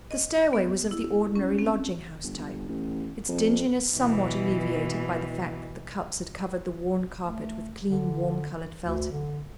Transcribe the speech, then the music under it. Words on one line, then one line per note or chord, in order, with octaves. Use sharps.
The stairway was of the ordinary lodging-house type, its dinginess somewhat alleviated by the fact that the Cupps had covered the worn carpet with clean warm-coloured felting.
D#5
B3
E4
C#4
C4
G1
G1
A1
F2
B2 E3
A3
D3
D2
D3